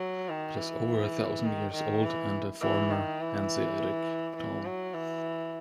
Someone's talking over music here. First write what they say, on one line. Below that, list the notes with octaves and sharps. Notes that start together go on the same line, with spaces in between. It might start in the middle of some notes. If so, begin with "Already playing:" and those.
It is over a thousand years old and a former Hanseatic town.
Already playing: F#3
D#3
E3
D#3
D#3
E3
E3
D#3
E3
E3
F#3
E3